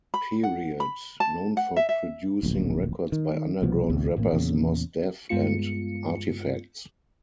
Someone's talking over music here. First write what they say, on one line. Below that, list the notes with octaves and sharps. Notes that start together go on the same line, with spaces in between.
Period, known for producing records by underground rappers Mos Def and Artifacts.
B5
F#5
B5
A5
F#5
E5
E5
D1 A#1
D#3
C2 B2 F3 B3
A1 D2 C3
A1 A2 A#3
E2 A#2 C#3
G2 G#3 B3 F4 C#7